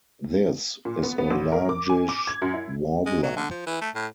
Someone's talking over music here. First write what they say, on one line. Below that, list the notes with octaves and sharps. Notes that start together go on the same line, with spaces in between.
This is a largish warbler.
A#2
B3
B3
A1
A#4
D6
G#5
D6
G#6
F#2
E4
G#3
F#3
D3
F3
E3
A3
A2